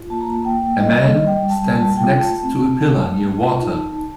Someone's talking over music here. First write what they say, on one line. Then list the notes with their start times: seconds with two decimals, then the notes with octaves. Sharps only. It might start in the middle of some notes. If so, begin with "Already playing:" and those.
A man stands next to a pillar near water.
Already playing: F4
0.10 A#3 A5
0.21 A#5
0.32 A#3 A5
0.45 G5
0.56 A#3
0.80 G3 D#5
1.03 G3 D#5
1.27 G3 G5
1.50 G3 A5
1.73 G3 A5
1.97 F4 G5
2.20 A3 A5
2.43 C4
2.67 A3
2.90 A3
3.14 A3
3.37 F4
3.60 D#4 A5
3.84 D#4